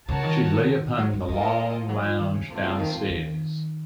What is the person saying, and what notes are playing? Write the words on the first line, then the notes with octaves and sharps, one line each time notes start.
She lay upon the long lounge down-stairs.
C#3 F#4 A#4 C#5 A5
D#3
F#3
F#3
F3 A#3 F4 A4 D#5
F#3
F3
D#3
C#3
C3 A3 C4 F4
C#3
D#3
D#3
D#3